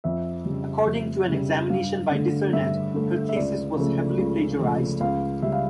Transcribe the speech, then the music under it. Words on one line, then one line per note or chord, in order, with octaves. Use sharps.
According to an examination by Dissernet, her thesis was heavily plagiarised.
F2 E5
C#3 G3
F2
C#3 G3
G2 F5
D3 A3
G2 E5
D3 A3
E5
C#2 D5
C#3 F3 A3
C#2
C#3 F3 A3
C#2 F5
C#3 G3 E5
F5